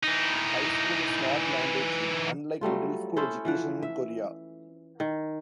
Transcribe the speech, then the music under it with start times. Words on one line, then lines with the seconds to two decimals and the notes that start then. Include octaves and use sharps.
High school is not mandatory, unlike middle school education in Korea.
0.04 E3 D#4
2.61 F#3 G3 A3 F4
3.16 C#4 E4 A4 C5
3.45 E3 F3 F#5
3.83 E5
5.00 D#3